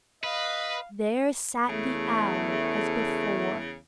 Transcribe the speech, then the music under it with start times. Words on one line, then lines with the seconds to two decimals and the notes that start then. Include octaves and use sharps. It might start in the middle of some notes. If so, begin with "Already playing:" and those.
There sat the Owl as before.
0.24 B4 D#5 F5
1.69 E2 C#3 A3